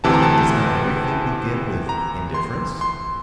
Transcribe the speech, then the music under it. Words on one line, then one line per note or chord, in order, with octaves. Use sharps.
Does not everything begin with indifference?
D2 C3 E3 A5
A#5
A5
A#5
C6
C6